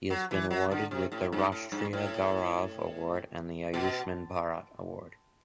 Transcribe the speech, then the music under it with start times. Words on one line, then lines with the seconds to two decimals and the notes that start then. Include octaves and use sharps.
He has been awarded with the Rashtriya Gaurav Award and Ayushman Bharat Award.
0.10 F#3
0.31 E3
0.51 F#3
0.71 D3
0.91 C3
1.12 A2
1.32 G2
1.52 A2
1.72 G2
1.93 A2
3.74 B2